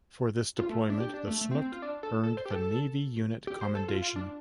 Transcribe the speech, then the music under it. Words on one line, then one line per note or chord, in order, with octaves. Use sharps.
For this deployment the "Snook" earned the Navy Unit Commendation.
F4
A3
D4
G4
D4
A3
A3
C4
C4
F4
D4
A4
A4
C5
G4
A4
G4
C5
A4
F4
F4
D4